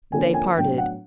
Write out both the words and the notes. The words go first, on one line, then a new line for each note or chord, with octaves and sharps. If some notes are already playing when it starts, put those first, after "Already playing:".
They parted.
D3 F3 A#3 C#4 G#5
G#5
A2 F#3 B3 D4 G5
F#5